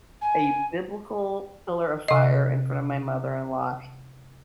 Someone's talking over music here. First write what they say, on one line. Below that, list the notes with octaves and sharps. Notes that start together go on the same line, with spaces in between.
a "biblical pillar of fire" in front of my mother-in-law,
G#5
C3 D#5